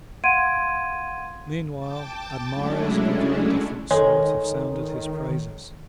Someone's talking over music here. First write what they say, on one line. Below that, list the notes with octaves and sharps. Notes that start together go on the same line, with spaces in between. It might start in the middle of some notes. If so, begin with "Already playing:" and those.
Meanwhile admirers of a very different sort have sounded his praises.
F5 F#5 C6 G#6 D7 D#7
G5 A5 D6 A6
F#3 G#3 A3 C#4 D4 E4
D#3 G#3 A4 C#5